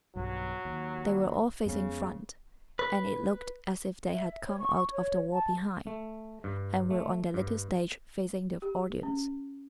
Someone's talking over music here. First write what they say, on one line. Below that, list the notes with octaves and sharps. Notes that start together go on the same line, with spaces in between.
They were all facing front, and it looked as if they had come out of the wall behind, and were on their little stage facing the audience.
B1 G2 F#3
D#2
F2 C#3 G#3 B3
B4
E5
C#5
C#6
C#5
A5
A3
G2
A3
G2
G4
C#4